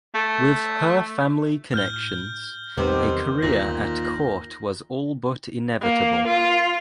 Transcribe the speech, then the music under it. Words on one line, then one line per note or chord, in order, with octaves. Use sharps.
With her family connections, a career at court was all but inevitable.
A3
A2 F6 G6 G7
E2 C3 D#3 G3 A3 B3 C4
G1 D#2 A#2 A#6
A#3
F4